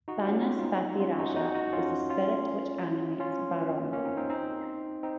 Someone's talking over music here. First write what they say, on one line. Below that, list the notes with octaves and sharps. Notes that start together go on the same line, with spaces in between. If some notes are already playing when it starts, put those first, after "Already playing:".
Banas Pati Raja is the spirit which animates Barong.
D#4 F#4
C#4 F4
F4
C4 D#4
C#4 F4
D#4 F#4
D#4 F#4
D#4 F#4
C#4 F4
C#4 F4
C#4 F4
A#3 C#4
C4 D#4
C4 D#4
C4 D#4
C4 D#4